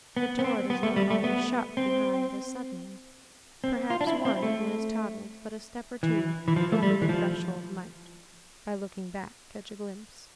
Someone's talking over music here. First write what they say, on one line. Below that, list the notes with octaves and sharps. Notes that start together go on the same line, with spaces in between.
The door does not always shut behind us suddenly. Perhaps one who has toddled but a step or two over the threshold might, by looking back, catch a glimpse....
B3
B3
C4
B3
A3
G3
A3
B3
C4
C4
F4
D4
E4
C4
A3
E3
E3
F3
A3
G3
E3
F3